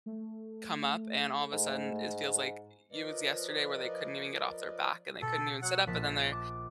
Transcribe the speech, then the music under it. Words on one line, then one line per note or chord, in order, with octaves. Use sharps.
come up, and all of a sudden, it feels like it was yesterday where they couldn't even get off their back and they couldn't even sit up, but then they're
A3
G#2
F3 A#4 B4 D5 D#5
B2 A4
F#3 F#5
A#1 F#5 A5 B6
D6